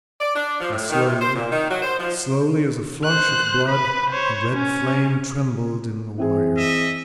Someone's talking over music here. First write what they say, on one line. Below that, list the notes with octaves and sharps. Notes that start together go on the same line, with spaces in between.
And slowly, slowly as a flush of blood, a red flame trembled in the wire.
D5
D4
F3
A2
D#3
C3
C5
A#2
D#3
F#3
C5
F3
C5 F#6
B4 B5
C5 C#5
C#4
E3 C4 G#4
D#5 E5